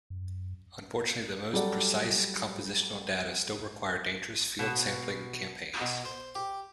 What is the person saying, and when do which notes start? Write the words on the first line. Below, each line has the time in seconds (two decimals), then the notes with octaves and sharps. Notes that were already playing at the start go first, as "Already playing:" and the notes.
Unfortunately, the most precise compositional data still require dangerous field sampling campaigns.
0.10 F#2
1.53 F#3 G3 G4 A4 D5 F#5
4.59 B2
5.81 B2
6.05 C5
6.35 G4